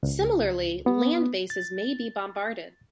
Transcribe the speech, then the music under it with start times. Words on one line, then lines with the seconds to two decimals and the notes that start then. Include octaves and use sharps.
Similarly, land bases may be bombarded.
0.03 C#2
0.86 B3
1.50 A6